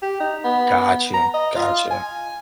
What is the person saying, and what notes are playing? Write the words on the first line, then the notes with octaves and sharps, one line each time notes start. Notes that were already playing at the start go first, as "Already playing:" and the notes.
Gotcha. Gotcha.
G4
D#4
B3
A#5
D#5
F4
G#5